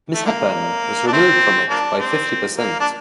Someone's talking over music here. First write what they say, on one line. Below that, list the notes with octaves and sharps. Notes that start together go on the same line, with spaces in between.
Miss Hepburn was removed from it by fifty percent.
A3
D3 A#3
D4
A3 C4
A#3 D4
C4
A#3
D4